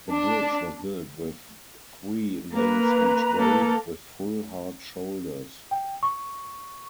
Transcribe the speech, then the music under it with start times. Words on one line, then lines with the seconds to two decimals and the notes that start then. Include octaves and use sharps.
The bridge was built with three lanes each way, with full hard shoulders.
0.11 D4
2.52 A#3 B4 A#5
3.37 A#3 A4
5.71 G5
6.03 C#6